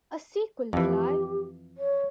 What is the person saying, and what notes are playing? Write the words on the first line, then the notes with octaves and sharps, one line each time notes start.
A sequel, Fly!
F2 E3 G4
C#5